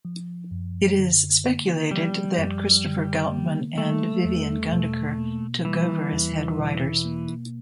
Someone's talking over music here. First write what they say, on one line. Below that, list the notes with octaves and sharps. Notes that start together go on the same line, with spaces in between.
It is speculated that Christopher Goutman and Vivian Gundaker took over as Head Writers.
F3
F#2
D3
A#3
F3 G3
F#2
D3
A#3
G3 A3
E2
B2
A#3
E3 G3
E2
B2
A#3